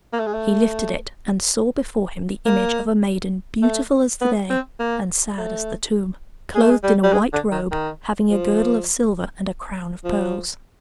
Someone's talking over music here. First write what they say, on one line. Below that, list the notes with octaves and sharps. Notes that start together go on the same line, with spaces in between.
He lifted it, and saw before him the image of a maiden beautiful as the day and sad as the tomb, clothed in a white robe, having a girdle of silver and a crown of pearls.
A#3
A3
G#3
A3
A#3
A3
B3
C4
A#3
A3
G#3
A3
G#3
G3
G3
G#3
D3
D#3
D#3
F3
F3